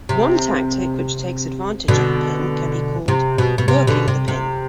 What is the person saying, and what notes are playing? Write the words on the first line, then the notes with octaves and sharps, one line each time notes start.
One tactic which takes advantage of a pin can be called "working the pin".
C3
B2 D3
C3
B2
B2
C3
B2 D3
C3
C3